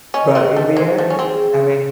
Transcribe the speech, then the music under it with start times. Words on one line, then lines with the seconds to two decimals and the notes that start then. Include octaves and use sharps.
But in the end, I mean
0.14 C#4 D#5
0.35 C4 D#5
0.56 A3
0.77 G#3 C5
0.98 A3
1.10 C#4
1.19 C4 G#4